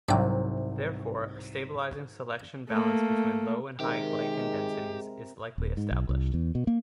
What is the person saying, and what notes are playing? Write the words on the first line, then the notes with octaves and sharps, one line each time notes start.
Therefore, a stabilizing selection balance between low and high glycan densities is likely established.
C2 G#2 C3 F#3 D4 G5
A3 A#3
C3 D#3 G#3 G4 A#4
D#1
G#2
B1
C2
E2
B2
A#3